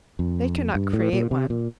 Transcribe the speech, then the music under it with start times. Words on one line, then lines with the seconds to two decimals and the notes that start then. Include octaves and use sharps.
They cannot create one.
0.19 F2
0.75 G2
0.93 A2
1.13 A#2
1.31 C3
1.50 A#2